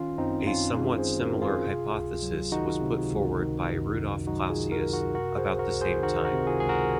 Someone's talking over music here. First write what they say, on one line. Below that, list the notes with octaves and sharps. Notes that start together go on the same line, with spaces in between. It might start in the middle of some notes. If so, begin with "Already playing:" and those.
A somewhat similar hypothesis was put forward by Rudolf Clausius about the same time.
Already playing: D#3 C#4 F4
F#2 C4 D#4
F#2 C#4 F4
G#3 F4 G#4
G#4 C5
D#3
F#4 A#4
F#2
F4 G#4
C3
C#2
F#3
D#3 D#4 F#4
C3
C#2
D#3
F#2
F#2
F#3 D#4 F#4
F4 G#4
D#3
F#4 A#4
F#2
F#4 A#4
C3 F#4 A#4
G#4 C5
C#2
F#4 A#4
C#2
G#4 C5
D#3 F#4 A#4
F#4 A#4
C3
F4 G#4
C#2 G#4
F#4 A#4